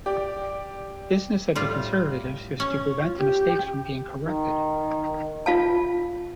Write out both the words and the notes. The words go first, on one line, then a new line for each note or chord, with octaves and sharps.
The business of the Conservatives is to prevent the mistakes from being corrected.
G4 D5
A2 G3 F4
C#4
F4
G4
D#3
F4 F5 A5